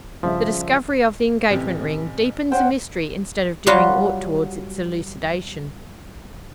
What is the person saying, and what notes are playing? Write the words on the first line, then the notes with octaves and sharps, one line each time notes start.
The discovery of the engagement ring deepens the mystery instead of doing aught towards its elucidation.
G2 C#3 F3 E5
A1 C3
C#4 C5 F#5 G5
F#3 G3 F4 F#4